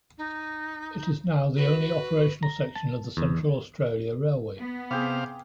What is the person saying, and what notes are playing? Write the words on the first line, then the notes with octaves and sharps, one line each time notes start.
It is now the only operational section of the Central Australia Railway.
D#4
F#4 B4
A#5
A5
E2
B3
C3 G#4 F5 G5 D6